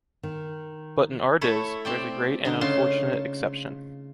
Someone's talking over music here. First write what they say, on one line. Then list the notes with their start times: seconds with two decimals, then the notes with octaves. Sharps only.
But, in our days, there’s a great and unfortunate exception.
0.23 D#3
1.41 A3 E4 C#5
1.85 C4 D5 G5
2.45 D3 D#4
2.61 C#3 F4 C6